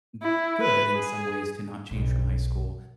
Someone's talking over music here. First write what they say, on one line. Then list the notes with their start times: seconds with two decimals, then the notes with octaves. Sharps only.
g good in some ways to not change from high school.
0.23 E4
0.61 B4
0.95 G#4
1.91 B1